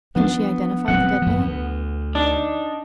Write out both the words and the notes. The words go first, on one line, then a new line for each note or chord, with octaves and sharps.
"Can she identify the dead man?"
F3 B3 D4
D#1 F#3 C4 F#5
F#2 F3
D2
D4 D#4